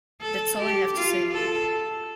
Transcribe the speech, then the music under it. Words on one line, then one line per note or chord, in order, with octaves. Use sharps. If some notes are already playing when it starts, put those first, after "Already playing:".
That's all I have to say to you!
A4
G4
F4
A4